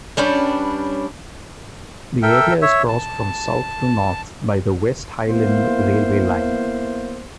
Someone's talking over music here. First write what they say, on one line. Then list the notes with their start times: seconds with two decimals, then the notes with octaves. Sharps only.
The area is crossed from south to north by the West Highland railway line.
0.17 G3 C#4 D4 B4
2.23 A4 A#4 E5 G5
2.62 C#5 E5
2.88 A5
5.29 A#3 B3 E4 C5 F5